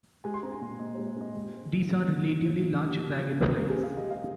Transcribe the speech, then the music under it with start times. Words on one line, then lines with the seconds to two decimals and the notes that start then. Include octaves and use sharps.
These are relatively large dragonflies.
0.24 G#3 G#5
0.34 C6
0.43 C4 A#5
0.52 G#5
0.61 A#2
0.79 A#2 D#5
0.94 C5
0.98 G#3
1.07 C5
1.17 C4 D#5
1.35 G#3
1.54 C4
1.72 A#2
1.90 A#2
2.09 G#3
2.27 C4
2.45 F3 C5
2.64 A#3
2.82 C3
3.00 C3
3.19 F3
3.37 A#3
3.56 G#3 A#4
3.70 G#4
3.74 C4
3.83 F5
3.93 C3 D#5
4.11 C3 F5